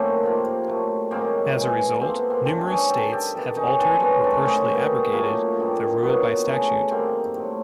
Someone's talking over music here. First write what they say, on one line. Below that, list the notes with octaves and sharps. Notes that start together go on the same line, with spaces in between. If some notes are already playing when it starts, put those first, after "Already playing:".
As a result numerous states have altered or partially abrogated the rule by statute.
Already playing: F#2 D#3 F#3 A3 A#3 C4
C3 F3 A#3
A#2 F#3 A3
G#2 D#3 F#3 A#3 C4
A2 E3 G#3
A#2 F3 A3 A#3 C4
B3
A#3 C4
G2 E3 A3 C4 D4
C#4 D#4
C3 D#3 G3 G4 A4
G4 A4
B2 G3 A#3
C#4 D#4
G2 E3 G#3 C4 D4
B3 C#4
F#2 D#3 F#3 A3 C4 D4
C#4 D#4
B2 G3 A#3
A#2 F#3 A3 A#3
G2 D#3 G3 A#3
B2 F#3 A#3 B3
C#3 F#3 A3
C3 D#3 G3 A#3 C4
A2 F#3 A3